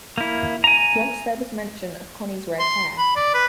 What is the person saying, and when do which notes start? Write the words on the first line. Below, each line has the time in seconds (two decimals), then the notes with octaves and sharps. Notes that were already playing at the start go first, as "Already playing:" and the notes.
Once there was mention of Connie’s red hair.
0.18 A#3 E4
0.64 G#5 A#5
2.59 C6
2.98 B5
3.16 D5
3.34 B4